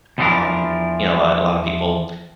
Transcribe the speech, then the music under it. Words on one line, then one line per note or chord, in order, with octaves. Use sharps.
Um, you know, uh, a lot of people
E2 E3 F3 D4 G4 A#4